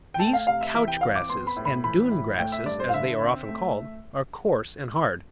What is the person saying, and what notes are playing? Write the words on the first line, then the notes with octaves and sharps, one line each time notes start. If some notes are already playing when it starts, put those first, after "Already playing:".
These Couch Grasses and Dune Grasses, as they are often called, are coarse and hard.
G5
A3 A5
G5
F5
C3 F5
E5
E3 E5
G5
C4 F5
D6
B3 C6
B5
A2
B5
E3 B5
A2
A3 G5
E5
G2 D5
C5
F5
D3 E5
C4
A3